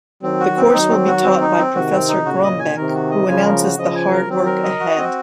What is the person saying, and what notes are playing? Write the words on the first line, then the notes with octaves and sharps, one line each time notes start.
The course will be taught by Professor Grombek, who announces the hard work ahead.
D#3 F#3 C4
F#4
C4
D#3 F#3 D#4
C4
F#4
C4
D#4
C4
C3 D#3 F#4
C4
D#4
A#2 C#3 F#4
D#5
G#5
C3 D#3 A#4
F#4
D#5
C#3 F3 G#5
A#4
F#4
C#3 F3 D#5
G#5
A#4
D#3 F#3 C4
A#4
D#5
F#4
C4